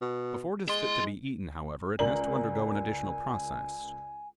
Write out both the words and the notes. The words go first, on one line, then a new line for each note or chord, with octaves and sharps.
Before it is fit to be eaten, however, it has to undergo an additional process.
B2
G#3 E4 C6
C#2 A#4 D5 G#5 F#7